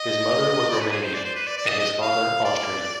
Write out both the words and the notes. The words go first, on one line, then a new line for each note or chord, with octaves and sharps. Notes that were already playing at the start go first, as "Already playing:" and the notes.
His mother was Romanian and his father Austrian.
Already playing: D#5
D5
B4
G#4
C5
D5
C5
B4
D5
D5
D#5
D#5
F5
D5